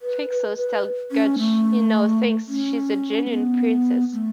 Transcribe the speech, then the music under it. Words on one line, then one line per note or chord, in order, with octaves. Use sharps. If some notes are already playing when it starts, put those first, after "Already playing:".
Frixos tells Gutch he now thinks she's a genuine princess.
B4
B4
B4
C#4
A3
C#4
A3
B3
A3